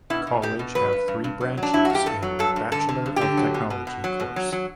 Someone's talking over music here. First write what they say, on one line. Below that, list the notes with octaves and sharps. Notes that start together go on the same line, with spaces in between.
College have three branches in Bachelor of Technology course.
B2 E4
B2
B2 G4
B2
F#3 B4
G2
G2
G2
F#3
F#3
D4
F#3 E4
F#4
G2
G4
G2 A4
F#3
G2 A4
G2
D3 A4
D3
G2
D3 G4
F#3
B2
B2
B2
F#3
B2
F#3
F#3